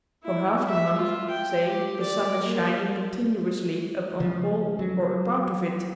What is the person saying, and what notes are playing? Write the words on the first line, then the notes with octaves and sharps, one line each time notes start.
For half the month, say, the sun is shining continuously upon all or a part of it.
E4
E5
F4
G5
G4
D5
A#3
C#3 F3
F#3